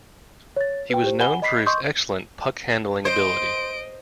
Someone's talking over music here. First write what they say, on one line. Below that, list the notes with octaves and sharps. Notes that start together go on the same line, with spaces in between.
He was known for his excellent puck-handling ability.
C#5 A6
B4 G5
G4 C5
F#5 G#5 B5 G7
D#5 B5 B6 C7
D#5 C6 C#6 D#6 G6
C5 D#5 D7